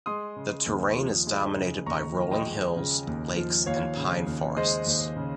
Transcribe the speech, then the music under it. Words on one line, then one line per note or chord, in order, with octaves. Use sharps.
The terrain is dominated by rolling hills, lakes, and pine forests.
G#3 C6 D#6
C#3
D#2
F3
G#3
C#3
D#2 A#5 C#6
F3
D#5 G5
G#3
C#3
D#2
F3
D#2 C#5 F5
C#3
D#2
G#3 C5 D#5
D#2
C#3